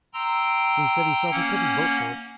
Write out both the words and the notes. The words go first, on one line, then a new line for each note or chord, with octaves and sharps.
And he said he felt he couldn't vote for it.
G5 A#5 C6 E6
A#3 C#4 F#5